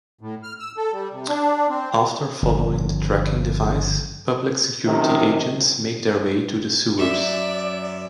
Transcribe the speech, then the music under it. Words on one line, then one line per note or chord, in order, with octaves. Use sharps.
After following the tracking device, Public Security agents make their way to the sewers.
A2
F6
E6
A4
G3
C3
D4
C4
G1 C#3 F3
F#2 C3 D#3
F#2 D5 E5